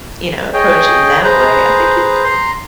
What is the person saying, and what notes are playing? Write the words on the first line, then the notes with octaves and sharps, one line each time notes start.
you know, approach it in that way, I think it
G#4 C#5 D#5 G5
G#4 B4 C5 A#5
A#5 C6